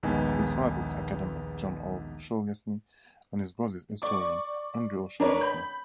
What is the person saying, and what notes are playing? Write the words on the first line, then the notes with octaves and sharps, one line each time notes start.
His father is academic John O'Shaughnessy and his brother is historian Andrew O'Shaughnessy.
A#1 D#2 G#3 B3 D#4 G#5
D5 C#6 D6
D4 A#4 B4 C#5
B5 G6